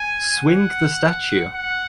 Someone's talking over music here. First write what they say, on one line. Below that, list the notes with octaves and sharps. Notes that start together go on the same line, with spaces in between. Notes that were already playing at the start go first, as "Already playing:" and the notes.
Swing the Statue!
Already playing: G#5
F#5
F#5